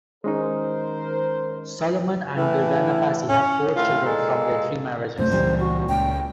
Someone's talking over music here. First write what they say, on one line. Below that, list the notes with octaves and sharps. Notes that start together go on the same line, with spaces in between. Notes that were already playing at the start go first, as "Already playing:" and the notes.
Solomon and Gergana Passy have four children from their three marriages.
D#3 G#3 C#4 D#4 A#4 C5
A2 E3
C#4
A2 F4
A#2 G#3 A4
F#2 C3 A3 C5
C#2 A#2 E3 G3
F#4
C#2 G5